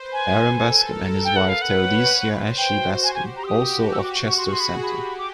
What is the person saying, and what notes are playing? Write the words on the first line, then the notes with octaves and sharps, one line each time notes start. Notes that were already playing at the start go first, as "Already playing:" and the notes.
Aaron Bascom and his wife Theodosia Ashley Bascom, also of Chester Center.
Already playing: B4 C5
G#5
A4
A#4
B4 G5
F#5
F5
F#5
C#5
C5
F#4 G5
G4 G#5
G#5
A#5
E6
F#4 D#6
F#4 E6
C#6
D6
C#6
C#6
G#4 C6
C#6
C6
B5
G4 B5
D6